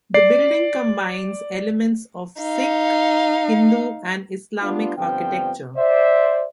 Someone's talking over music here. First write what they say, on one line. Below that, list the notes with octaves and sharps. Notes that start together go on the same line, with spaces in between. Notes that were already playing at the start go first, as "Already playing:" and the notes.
The building combines elements of Sikh, Hindu, and Islamic architecture.
D5 C7
D#4 F5
G3 B3 D4 F4
G2 D3 F3 B3 C4 G5
C5 D5 E5